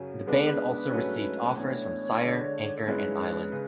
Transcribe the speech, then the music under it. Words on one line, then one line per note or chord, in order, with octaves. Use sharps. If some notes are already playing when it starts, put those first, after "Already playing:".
The band also received offers from Sire, Anchor and Island.
Already playing: F#2 C#3 F#3 C#4
C#3 G#3 B3 D4 B4
G#2 F#3 A3 C#4
A2 E3 B3 D4 C#5
D3 G#3 D4
A4
G#2 G#3 C#4 E4 B4
C#3